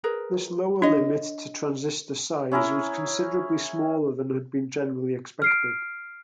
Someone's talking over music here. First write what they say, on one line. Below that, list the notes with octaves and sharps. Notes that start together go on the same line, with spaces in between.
This lower limit to transistor size was considerably smaller than had been generally expected.
G#4 A#4 B4
D4 C#5 D#5
C#4 E4 G#4 A#4
F6 C7 D7